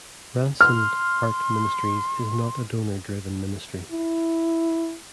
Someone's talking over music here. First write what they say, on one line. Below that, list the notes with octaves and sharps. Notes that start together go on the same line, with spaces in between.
Ransomed Heart Ministries is not a donor-driven ministry.
C6 F6
E4